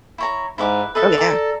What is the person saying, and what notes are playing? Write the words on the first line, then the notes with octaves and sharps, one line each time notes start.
Oh, yeah.
E4 C#5 A#5
G#2 E4 B4 D6
A4 B4 D#5 E5
D5 A5 A#5